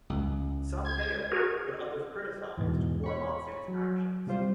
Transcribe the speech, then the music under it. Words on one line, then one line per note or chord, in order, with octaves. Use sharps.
Some hailed, but others criticized, Korematsu's actions.
C#2
G#6
F#4 G#4 A#4
E2 G#2 B2
C#5 B5 C#6
F#3
C3 G3 F4 C5